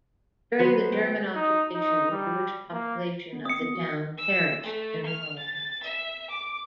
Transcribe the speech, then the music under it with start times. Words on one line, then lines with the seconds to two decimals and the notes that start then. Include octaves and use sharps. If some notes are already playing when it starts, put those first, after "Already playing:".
During the German occupation the Jewish population of the town perished in the Holocaust.
0.59 F#3 B3 C5
0.92 G5
1.36 D#4
1.75 D#4
2.11 G3
2.72 A#3
3.32 B3
3.45 C4 D#6 C#7
3.59 B3
3.75 F#4
4.18 E6
4.63 A3
5.05 F6
5.38 A6
5.83 E5
6.30 D6